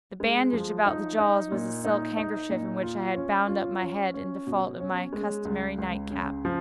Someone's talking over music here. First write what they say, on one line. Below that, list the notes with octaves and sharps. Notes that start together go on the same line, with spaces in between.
The bandage about the jaws was a silk handkerchief in which I had bound up my head, in default of my customary nightcap.
G#3
F3
D#4
D#4
A#2
D#4
D#4
A#2
F4
C#4
F4
C#4
C#4
B2
C#4
G#3
C#2
C#2
C#3
F3